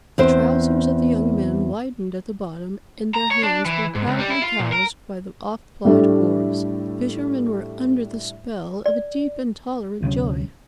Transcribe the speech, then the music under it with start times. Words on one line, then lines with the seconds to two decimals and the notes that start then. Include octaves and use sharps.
The trousers of the young men widened at the bottom, and their hands were proudly calloused by the oft-plied oar. Fishermen were under the spell of a deep and tolerant joy.
0.18 E2 C4 C5
3.14 A#5
3.31 C#5
3.43 D4
3.66 E3
3.95 G#2
4.07 C#2
4.19 G3
4.30 E4
4.42 F4
4.59 A#2
4.72 A#4
5.85 A2 G3 A3 D4
8.86 D5
10.02 D2 C3 F#3 C#4